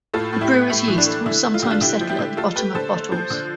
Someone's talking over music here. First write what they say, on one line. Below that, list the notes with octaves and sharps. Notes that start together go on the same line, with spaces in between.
The brewer's yeast will sometimes settle at the bottom of bottles.
A2 F4 A4
A2
E4 G4
A2
A2 E4
E3
D4
A3
D3 E4
A3
F4
D3 G4
D4 F4
D3 E4 G4
F3
E4 G4
D3
A3 F4 A4
A3 G4 B4
D3 A4 C5
A3
F3
D3